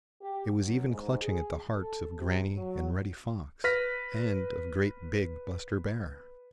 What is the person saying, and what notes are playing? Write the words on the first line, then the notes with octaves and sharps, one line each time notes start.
It was even clutching at the hearts of Granny and Reddy Fox and of great, big Buster Bear.
G4
F#2
G#2
G#4
A4
C3
F#3
B4 F6 A#6 B6